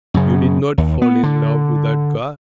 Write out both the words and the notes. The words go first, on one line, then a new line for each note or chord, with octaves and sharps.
"You did not fall in love with that girl?"
F#2 C#3
D#2
B3
D3